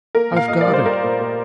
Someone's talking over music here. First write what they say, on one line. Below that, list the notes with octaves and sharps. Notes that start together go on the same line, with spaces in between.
I've got it!'
A#3 A#4
A#2 F5
A#2 D#5
D5
G3
C5
A#3 A#4
A#2
A#2